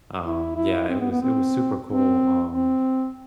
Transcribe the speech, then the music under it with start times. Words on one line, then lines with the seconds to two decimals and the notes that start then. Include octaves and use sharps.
um, yeah, it was it was super cool. Um,
0.24 E4
0.56 E4
0.89 C4
1.00 B3
1.11 B3
1.22 C4
1.87 C4
2.51 C4